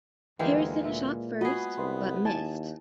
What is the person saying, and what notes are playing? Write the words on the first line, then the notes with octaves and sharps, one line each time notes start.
Harrison shot first, but missed.
G1 D2 E3 G#3 A#3 G5
A#2 E5
B3 F4 F#4 G#4 D#5 B5
C2 B4 C6
D#2 E4 G#5 A5